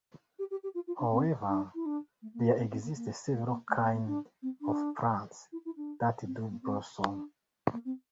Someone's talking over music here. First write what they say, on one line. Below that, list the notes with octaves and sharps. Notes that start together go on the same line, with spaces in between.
However, there exist several kind of plants that do blossom.
G4
G4
G4
F4
F4
D4
C4
D4
E4
D4
A3
A#3
A#3
C4
C4
A#3
A#3
A3
A#3
A3
A#3
A#3
D4
C4
D4
E4
E4
D4
C4
A3
A#3
C4
D4
A#3
C4